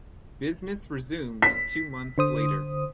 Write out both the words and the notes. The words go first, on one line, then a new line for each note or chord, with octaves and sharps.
Business resumed two months later.
B6
D3 C5 D#6